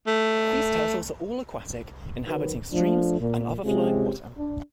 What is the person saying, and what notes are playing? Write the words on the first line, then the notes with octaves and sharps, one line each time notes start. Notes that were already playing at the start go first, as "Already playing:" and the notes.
These turtles are all aquatic, inhabiting streams and other flowing water.
A3
D#3 F#3 B4
F3 A3 D4
A#2
C3 G#3 C4 C#4 F4 G4
D4